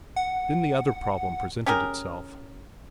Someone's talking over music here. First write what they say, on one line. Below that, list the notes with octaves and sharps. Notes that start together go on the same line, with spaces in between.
Then the other problem presented itself.
F#5
C#4 G4 G#4 A#4